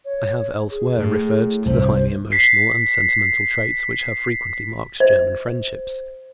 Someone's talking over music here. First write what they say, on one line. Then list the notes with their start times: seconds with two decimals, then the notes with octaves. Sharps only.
I have elsewhere referred to the highly emotional and sentimental traits which have frequently marked German friendships.
0.05 C#5
0.71 G#4
0.97 A2
1.66 C2 G2 C5
2.32 B6 C7
5.00 C5